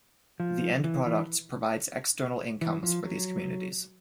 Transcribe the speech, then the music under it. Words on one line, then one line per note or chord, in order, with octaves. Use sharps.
The end products provides external incomes for these communities.
F3
E3
E3
E3
F3
F#3